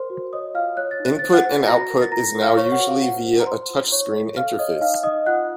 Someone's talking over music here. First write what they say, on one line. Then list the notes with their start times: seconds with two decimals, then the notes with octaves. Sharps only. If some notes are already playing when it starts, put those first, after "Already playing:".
Input and output is now usually via a touch-screen interface.
Already playing: A#4 C5 C6
0.10 F#4
0.33 C#5 D#5 D#6
0.54 F4 F5 F6
0.77 C#5 F#6
0.91 A6
1.00 D#4
1.05 F#6
1.19 C5 A6
1.33 F#5 F#6
1.45 C5
1.67 F#4 A#5 A#6
1.90 A#4
2.01 A6
2.12 F4 A#5 A#6
2.35 A#4
2.42 F5 F6
2.57 C5 C#5 C#6
2.72 F#5
2.79 F#4
2.87 F5
3.02 C5 F#5
3.24 C5
3.40 A#5
3.47 C5 C6
3.70 F4
3.91 D#4 C#5 C#6
4.14 C5
4.36 A4 F5 F6
4.59 C#5 D#5 D#6
4.81 D#4 F5 F6
5.03 D#4 D#5 D#6
5.26 F4 F#5 F#6